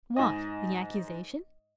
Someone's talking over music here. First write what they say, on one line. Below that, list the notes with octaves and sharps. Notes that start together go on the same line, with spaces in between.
"What? the accusation?"
G#2 D#5